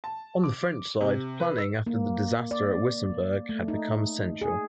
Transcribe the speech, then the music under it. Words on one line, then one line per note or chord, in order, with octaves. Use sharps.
On the French side, planning after the disaster at Wissembourg had become essential.
A5
D6
C3
B4
E6
A#3
D5
A3
D#4
G#4